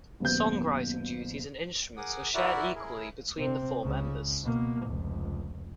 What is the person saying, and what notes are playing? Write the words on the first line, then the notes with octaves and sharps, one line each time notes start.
Song-writing duties and instruments were shared equally between the four members.
F#1 D#2 B2 G6
G#4 A#4 F#5 D6 D#6
E4 F#4 A#4 D5 E5 F#5
E4 G#4 A#4
C3 C4
C#2 C#3
B2 A#3
F1 C#2